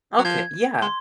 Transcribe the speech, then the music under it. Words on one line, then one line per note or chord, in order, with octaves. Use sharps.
Okay, yeah,
F#3
F3 G#6
G#3 C6